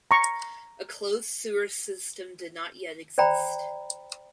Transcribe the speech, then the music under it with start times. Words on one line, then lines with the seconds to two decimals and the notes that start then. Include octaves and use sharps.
A closed sewer system did not yet exist.
0.11 A#5 C#6
3.18 C5 D5 G5 A#5 B5